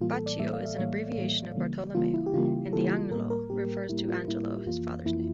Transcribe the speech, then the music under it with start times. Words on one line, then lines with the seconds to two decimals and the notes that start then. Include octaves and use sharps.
"Baccio" is an abbreviation of Bartolomeo, and "d'Agnolo" refers to Angelo, his father's name.
0.01 A2 E3 G3 A#3 F4
0.13 A4
0.26 D5
0.39 A2 E3 G3 A#3 E5
0.53 F5
0.65 E5
0.78 A2 E3 G3 A#3 C#5
1.17 A2 E3 G3 A#3
1.56 C#3 E3 G3 A#3
1.95 C#3 E3 G3 A#3 F4
2.14 E4
2.26 G4
2.34 C#3 E3 G3 A#3 F4
2.73 C#3 E3 G3 A#3 A4
3.11 A2 G3 A#3 A#4
3.30 A#4
3.50 A2 G3 A#3 G4
3.89 A2 G3 A#3 E4
4.08 F4
4.28 A2 G3 A#3 E4
4.66 F2 E3 A#3 F4
5.05 F2 E3 A#3 E4